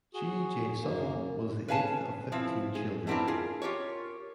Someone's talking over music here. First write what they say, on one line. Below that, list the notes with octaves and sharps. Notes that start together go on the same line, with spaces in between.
G. J. Sutton was the eighth of fifteen children.
F#4 G#4
F#2 A#3
B4 C#5 F5 G#5 A5
F3 C4 E4
G#4
A3 B3 C4 D4 E4 A#4
F4 G#4
F4 G4 A#4 C#5